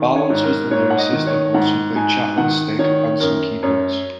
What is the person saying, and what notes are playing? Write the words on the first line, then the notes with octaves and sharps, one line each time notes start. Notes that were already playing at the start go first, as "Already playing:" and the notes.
Balance was the lyricist and also played Chapman Stick and some keyboards.
Already playing: D#3
C#5
G#2
A#4
G#2 C#5
F#5
D#5
D#3
C#5
G#2 F#5
G#2 G#5
D#3 F#5
D#3 C#5
F#2 A#4
F#2 C#5